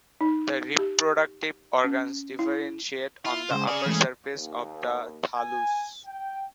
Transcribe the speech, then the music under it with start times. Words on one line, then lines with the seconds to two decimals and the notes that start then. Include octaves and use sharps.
The reproductive organs differentiate on the upper surface of the thallus.
0.21 D#4
0.78 G4
1.84 C#4
2.39 E4
3.25 E4 F4
3.50 C#3 G#3 C5
3.67 C#3 G#4 D5
3.86 E3 G#3 A3
4.32 D#2
5.36 G#5
6.06 G5